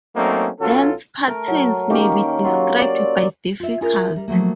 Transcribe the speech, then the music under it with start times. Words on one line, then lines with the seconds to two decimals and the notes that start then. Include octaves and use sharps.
Dance patterns may be described by difficulty.
0.16 F#3 A3 A#3 C4 C#4 D#4
0.60 B1 F#3 C#4 F4 A4
1.28 A3 A#4
1.48 F#3
1.90 D#3 A#3 C#4 G4
2.44 F#3 F4
2.78 D5
3.60 F4 E5
3.81 C#4 E4 F4 G#4 A#4
4.16 G3 A#4
4.28 F3 F#3 A3 A#3